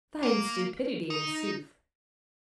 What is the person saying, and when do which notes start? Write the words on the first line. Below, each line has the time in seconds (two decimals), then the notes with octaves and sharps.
Fine stupidity, in sooth!
0.23 A#3
1.10 D#4